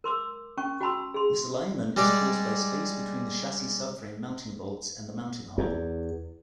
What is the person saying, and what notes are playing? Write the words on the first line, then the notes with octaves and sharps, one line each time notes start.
Misalignment is caused by space between the chassis-subframe mounting bolts and the mounting hole.
A#4 C6 D6 E6
C#4 G5 C#6
F#4 G5 A5 B5 C6 E6
G#4 C6
G3 G#3 D5
E2